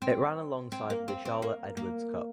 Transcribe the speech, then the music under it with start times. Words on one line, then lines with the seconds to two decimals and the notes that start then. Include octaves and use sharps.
It ran alongside the Charlotte Edwards Cup.
0.02 C4
0.72 C4
0.90 A#3
1.08 C4
1.25 C4
1.42 A#3
1.77 A#3